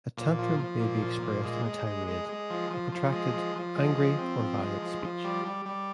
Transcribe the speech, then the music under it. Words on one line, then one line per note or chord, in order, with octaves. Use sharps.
A tantrum may be expressed in a tirade: a protracted, angry, or violent speech.
A#2
F3
F3
A#2
F3
A#2
G#3
G#3
G#3
G#3
G#3
F3
F3
F3
G#3
F3
F3
G#3
F3
C4
F3
G#3
F3
F3
G3
G3
G3